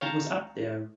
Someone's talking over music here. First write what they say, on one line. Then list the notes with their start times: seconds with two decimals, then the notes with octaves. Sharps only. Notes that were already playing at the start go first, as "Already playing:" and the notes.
It was up there.
0.01 C#5 F5 G5 A5 A#5